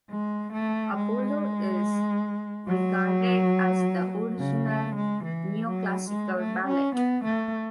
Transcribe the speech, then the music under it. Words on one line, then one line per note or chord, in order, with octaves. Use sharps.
Apollo is regarded as the original neoclassical ballet.
G#3
A3
G#3
F#3
C#3
A3
G#3
E3
F#3
G#3
A3
C#4
B3
A3